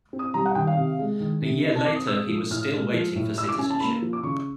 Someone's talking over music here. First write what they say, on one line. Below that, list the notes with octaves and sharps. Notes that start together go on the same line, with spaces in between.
A year later he was still waiting for citizenship.
C4
D#6
G3 A#5
F#5
D#3 G5
F5
C3
G#3
D#3
C3
E4 D#5
A5
C4 D6
D#6
G#3 E6
F3
A2 F6
G#3
F3
A2
E4 E6
D6
C#4 G#5
A5
A#3 B5
F3
D6
C#3 C#6